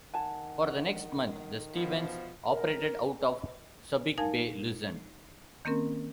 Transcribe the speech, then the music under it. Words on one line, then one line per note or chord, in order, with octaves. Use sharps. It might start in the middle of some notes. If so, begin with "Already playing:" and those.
For the next month, the "Stevens" operated out of Subic Bay, Luzon.
D#3 F#5 G#5 A5
B2 F3
A#4
D#4 A#4 F5 G#5 A5 G#6
D#3 A#3 C4 C#4 A#4